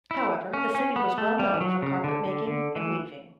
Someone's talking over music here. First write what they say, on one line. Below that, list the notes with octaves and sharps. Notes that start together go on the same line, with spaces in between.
However, the city was well known for carpet making and weaving.
E4
C#4
C#4
B3
A3
G3
E3
F#3
C#3
D3
D3
D3
E3